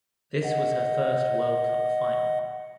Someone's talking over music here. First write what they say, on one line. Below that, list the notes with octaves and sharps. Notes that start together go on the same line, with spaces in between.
This was her first World Cup final.
D#5 F#5